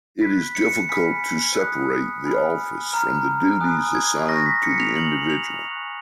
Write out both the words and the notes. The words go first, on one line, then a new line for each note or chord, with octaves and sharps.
It is difficult to separate the office from the duties assigned to the individual.
B5 F#6 B6
C#7
G#5 B5 F6 B6
B5 D#6 F#6
G#5 B5 F6
A#5 F6
G#5 B5 D#6 F#6
G#6
G#5 C#6 F6 A#6
B6
C#7
F7
G#5 C#6 F6 F#7
F7
G#5 C#6 F#6